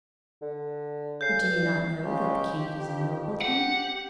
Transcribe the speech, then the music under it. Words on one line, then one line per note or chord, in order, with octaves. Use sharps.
But do you not know that the king has ennobled him?
D3
C#3 G6 C7
G2
D4
C#2 G4
F2
G4 F#5